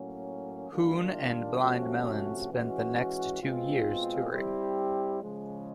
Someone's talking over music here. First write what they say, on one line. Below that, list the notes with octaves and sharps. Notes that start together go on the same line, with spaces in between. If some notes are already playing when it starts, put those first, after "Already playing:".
Hoon and Blind Melon spent the next two years touring.
Already playing: A2 F#3 A#3 C#4
D#3 G3 A#3 D4 F4
C3 F3 A3 C#4 F#4
E3 G#3 C#4 F#4
B2 G#3 C4 F4
G3 C4 E4 G4
C#3 F3 G#3